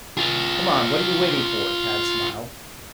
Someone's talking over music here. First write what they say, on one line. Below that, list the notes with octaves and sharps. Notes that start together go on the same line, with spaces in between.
"Come on, what are you waiting for?" Tad smiled.
F4 G#4